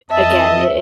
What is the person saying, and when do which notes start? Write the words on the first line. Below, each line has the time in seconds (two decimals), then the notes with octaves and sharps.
again i i
0.10 F2 D#5 E5 A5